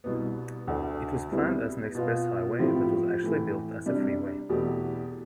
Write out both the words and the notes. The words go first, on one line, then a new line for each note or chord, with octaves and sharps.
It was planned as an express highway but was actually built as a freeway.
C2 B2 B3
D2 D3 A3
C3 G3 B3 E4
B2 B3 F4
A2 F3 C4 E4 G4
A2 E3 A3
C3 G3 D4
E2 B2 A3 E4 G4